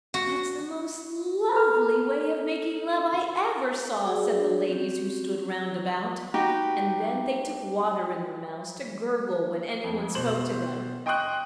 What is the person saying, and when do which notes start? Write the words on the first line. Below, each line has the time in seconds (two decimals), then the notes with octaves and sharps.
"That's the most lovely way of making love I ever saw!" said the ladies who stood round about, and then they took water in their mouths to gurgle when any one spoke to them.
0.14 F#4
1.53 A4 A#5 F6
4.03 F#4 G#4 D5
4.34 D4 F#4 G#4 C#5
4.67 C4 C#4 F#4 G4
6.34 D#4 F#4 G4 B4
9.84 F2
10.15 B2 C5 F#7
11.06 D#5 G5 C6 C#6 D#6 F#6